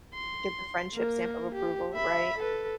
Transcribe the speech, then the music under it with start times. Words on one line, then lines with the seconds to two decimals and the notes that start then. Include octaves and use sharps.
Get the friendship stamp of approval. Right?
0.14 C6
0.94 A#3 A#4
1.55 G4
1.94 E5 B5
2.38 A4 B4